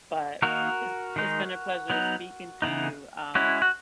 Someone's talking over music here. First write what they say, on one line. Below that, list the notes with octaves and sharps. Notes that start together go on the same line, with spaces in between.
But, it's it's been a pleasure speaking to you. Um,
D#3 A#3 D#4 F#4 A#4
D#3 G#3 D#4
F#3 B3 D#4
C#3 E3 B3 D#4
G#3 C#4 E4 F#4
F#4